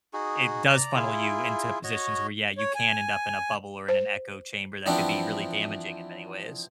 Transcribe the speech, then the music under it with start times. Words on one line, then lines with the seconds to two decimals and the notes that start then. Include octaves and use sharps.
i it does funnel you into positions where, yeah, you can end up in a bubble or in an echo chamber that could be really damaging in many ways.
0.13 D#4 F#4 G#4
0.69 D5 A#5
0.96 E4 F4 G#4
1.84 F#4 C#5 D#5
2.58 C#5
2.75 G#5
3.89 C5
4.86 E3 F3 B3 C4 D4 E4